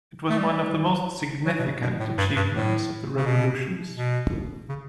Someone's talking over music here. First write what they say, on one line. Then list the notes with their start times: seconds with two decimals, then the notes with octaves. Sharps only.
It was one of the most significant achievements of the revolutions.
0.30 A3
0.38 G3
1.46 F#3
1.59 B2
1.64 C#3
1.82 B2
2.00 A2
2.18 G2
2.36 G2
2.54 A2
3.17 C#3
3.26 B2
3.97 B2
4.69 C#3